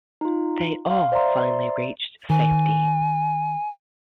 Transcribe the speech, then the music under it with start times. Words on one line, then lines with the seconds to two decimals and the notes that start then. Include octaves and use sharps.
They all finally reached safety.
0.21 D#4 F4
0.90 F5 C6
1.12 C5 D5 E5 A#5 C6
2.30 D#3 G#5